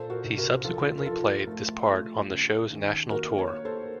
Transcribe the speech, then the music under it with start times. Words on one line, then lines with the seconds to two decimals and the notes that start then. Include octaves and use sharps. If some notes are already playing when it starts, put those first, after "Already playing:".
He subsequently played this part on the show's national tour.
Already playing: A#2 A4 C5
0.10 F#4 A#4
0.24 C2
0.38 F#4 A#4
0.64 F3 F4 A4
0.98 A#4
1.06 F3 F4 A4
1.47 A3
1.88 A3
2.29 C#3
2.70 D#2
3.10 A#3 F#4 A#4
3.38 A#4 C#5
3.51 A#3
3.65 A4 C5